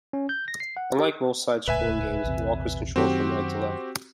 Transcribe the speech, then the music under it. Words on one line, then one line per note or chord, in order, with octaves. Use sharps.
Unlike most side-scrolling games, "Walker" is controlled from right to left.
C#4
G6
A#6
C7
F#5
G4
D#1 C#2 A2 B4 E5 G#5
A#1 E2 C3
F#2 D#3 C4 F#4 G4